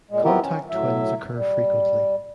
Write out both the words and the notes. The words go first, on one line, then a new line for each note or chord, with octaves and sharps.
Contact twins occur frequently.
A#2 G#3
B3 C4 E4 F4 G4 A#4
C#4
A2 F#3 E5
G3